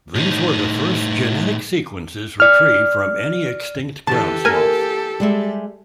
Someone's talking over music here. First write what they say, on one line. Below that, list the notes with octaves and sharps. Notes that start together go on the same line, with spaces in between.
These were the first genetic sequences retrieved from any extinct ground sloth.
A2 D#4
D5 F6
D3 E3 G4 A4 A5
A#3 A#4 G#5
G3 G#3 E5